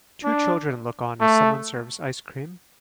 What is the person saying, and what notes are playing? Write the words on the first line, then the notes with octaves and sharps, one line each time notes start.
Two children look on as someone serves ice cream.
D4
A3